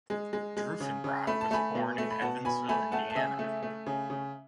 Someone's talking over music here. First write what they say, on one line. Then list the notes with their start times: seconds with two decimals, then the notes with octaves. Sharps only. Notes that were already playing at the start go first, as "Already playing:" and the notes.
Drufenbrock was born in Evansville, Indiana.
0.10 G#3
0.33 G#3
0.57 G#3
0.80 C#3
1.04 C#3
1.27 A3 B5
1.41 A5
1.51 A3 G#5 B5
1.75 B2
1.98 A3
2.10 B5
2.21 B2 F#5 A5
2.45 B2 G#5 B5
2.69 A3 G#5 B5
2.92 A3 F#5 A5
3.10 A5
3.15 C#3 E5 G#5
3.39 A3
3.63 A3
3.86 C#3
4.10 C#3